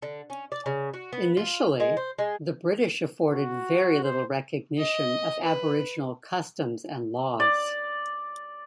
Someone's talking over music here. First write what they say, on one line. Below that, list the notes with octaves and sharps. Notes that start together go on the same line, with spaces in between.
Initially, the British afforded very little recognition of Aboriginal customs and laws.
D3
C#4
D5
C#3
F#4
B3
F4
G#3
C5
G#3
F#4
C5
D#5
B4
D5